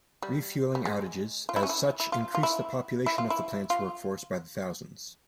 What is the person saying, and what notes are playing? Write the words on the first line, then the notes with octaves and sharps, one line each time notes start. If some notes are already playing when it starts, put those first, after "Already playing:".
Refueling outages as such increase the population of the plant's workforce by the thousands.
G3
G3
G#3
F4
E4
C#4
E4
E4
F4
F4
E4
E4
F4
E4
F4